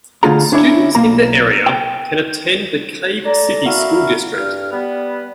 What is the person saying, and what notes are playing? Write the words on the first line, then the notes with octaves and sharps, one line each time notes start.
Students in the area can attend the Cave City School District.
D3 A3 F4 G#4 A#5
C#4 D4 E4 C#5
B1 A#3 A#5
G5
A4 D5 A#5
E4 F#4 A#4 E5 F5
G2 F6
G3 B3